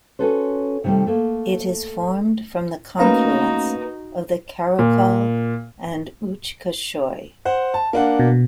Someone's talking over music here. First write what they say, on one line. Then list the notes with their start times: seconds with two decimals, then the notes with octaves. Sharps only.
It is formed from the confluence of the Karakol and Uch-Koshoy.
0.19 C#4 F#4 A4 B4 C5
0.84 C3 D#3 F#3 G3 A3
1.07 A3 A#3
2.99 A3 A#3 C#4 D#4 F#4 B4 F5 A#5
4.79 A#2
7.45 C5 F#5
7.74 A5
7.93 A#3 D4 F#5
8.20 B2